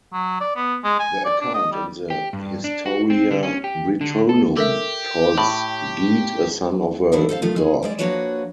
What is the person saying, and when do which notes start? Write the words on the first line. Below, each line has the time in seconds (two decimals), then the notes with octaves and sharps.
The account in the "Historia Britonum" calls Geat a son of a god.
0.13 F#3
0.40 D5
0.56 B3
0.84 G#3
0.99 G#5
1.25 D5
1.41 D4
1.54 D#5
1.72 G3
2.10 G4
2.33 G2
2.64 D4
2.86 F#4
3.10 C4
3.31 D3
3.43 C#4
3.64 G4
4.01 D3
4.29 A4
4.57 G4 A4 A#4 E5
5.38 A2 B5
7.12 D#3 E3 D4 E4
7.29 A4 C5 D5 F5
7.42 D#3 F3 A3 F4
7.56 G#3 G#4
7.82 G3 G#3 D5
7.99 F3 A#3 D4 F#4 B4 C#5